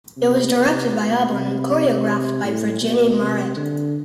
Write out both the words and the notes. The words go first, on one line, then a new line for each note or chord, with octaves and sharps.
It was directed by Aborn and choreographed by Virginie Mauret.
C3
C3
B2
C3
A2
B2
C3
D3